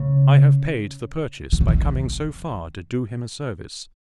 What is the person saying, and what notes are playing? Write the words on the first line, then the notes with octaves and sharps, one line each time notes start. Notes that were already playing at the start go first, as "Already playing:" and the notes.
I have paid the purchase, by coming so far to do him a service.
Already playing: C#3
D#3
C#3
D#3